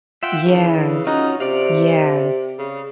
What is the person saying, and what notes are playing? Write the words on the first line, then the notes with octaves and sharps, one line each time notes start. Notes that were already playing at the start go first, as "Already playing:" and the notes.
Yes. Yes.
F4 E5 F#5 G5
C#3 E3
C#4 D#4 F4 F#4
C3 D5 F5
C#3